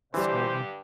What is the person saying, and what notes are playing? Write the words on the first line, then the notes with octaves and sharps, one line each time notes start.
That's terrible.
G2 D3 E3 G3 G4 C5